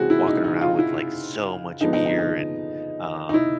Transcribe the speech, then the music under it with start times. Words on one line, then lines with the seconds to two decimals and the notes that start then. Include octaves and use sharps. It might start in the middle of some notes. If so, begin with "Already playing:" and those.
walking around with, like, so much beer, and, um
Already playing: C#3 E3 G#3 C4 F#4 G#4
0.10 E4
0.27 D#4
0.44 D#4
0.61 F4
0.79 E4
1.81 D3 F3 G#3 B3 D#4
1.93 D#4
2.06 D#4
2.19 D#4
3.29 D#4
3.34 E4